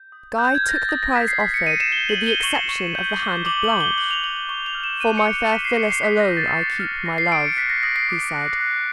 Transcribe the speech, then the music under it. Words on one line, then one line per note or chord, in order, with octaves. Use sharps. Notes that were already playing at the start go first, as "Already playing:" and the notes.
Guy took the prize offered with the exception of the hand of Blanche. "For my fair Phyllis alone I keep my love," he said.
Already playing: G6
D#6
F6 G6
G#6
F6 A#6
A6
D#6 A#6
A#6
G6 B6
C7
D#6 B6
C#7
D#6 D#7
E7
G6 G7
F#7
G6
G7
C#6 F#7
C#6
G6
D6
D6 F#7
F#7
G6
G7
F#6 F#7
F7
D6 F#7
G7
C#6 G7
F7
F6
E7
F#6 D#7
C#7
F#6
C#7
D6 B6
C7
D6 C#7
C7
D#6 B6
A#6
G6
A6
C#6
F6
C#6 A#6
C7
C#6 D7
C#7
F#6 B6
A#6
D#6 A#6
C7
D6
F#6
F#6